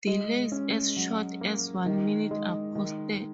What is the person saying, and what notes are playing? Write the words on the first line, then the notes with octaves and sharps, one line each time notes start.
Delays as short as one minute are posted.
G#3
C#4
F#3
A#3
D#3
G#3
D#3